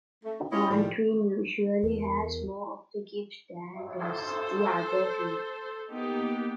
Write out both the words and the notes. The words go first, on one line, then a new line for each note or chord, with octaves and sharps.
One twin usually has more of the gifts than does the other twin.
A3
C#4 E4 F4 G4 C#5 D#5
A2 D#3 F3 G3
E2 A#4
A4 C5
A#3 B3 D#4 G4